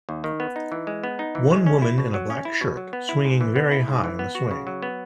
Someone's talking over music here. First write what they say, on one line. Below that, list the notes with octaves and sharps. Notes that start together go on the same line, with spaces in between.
One woman in a black shirt swinging very high on a swing.
D#2
D#3
B3
D#4
E3
G#3
B3
D#4
E3
G#3
C#4
E4
B2
F#3
C#4
E4
B2
F#3
B3
E4
G#2
E3
B3
E4
G#2
E3
B3
F#4
C#3
F#3
B3